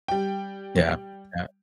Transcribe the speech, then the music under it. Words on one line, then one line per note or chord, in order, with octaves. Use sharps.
Yeah, yeah.
G3 G5